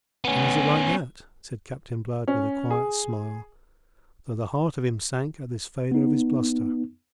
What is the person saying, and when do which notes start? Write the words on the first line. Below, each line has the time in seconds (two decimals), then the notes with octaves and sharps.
"And is it like that?" said Captain Blood with a quiet smile, though the heart of him sank at this failure of his bluster.
0.24 B3 C#4
2.28 C#4
2.71 G#4
5.92 B3 D#4